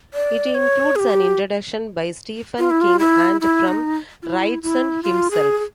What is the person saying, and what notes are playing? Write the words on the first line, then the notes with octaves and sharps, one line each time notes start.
It includes an introduction by Stephen King and from Wrightson himself.
D5
C#5
G#4
G4
F4
E4
F4
E4
E4
D#4
F4
E4
E4
F4
G#4
G#4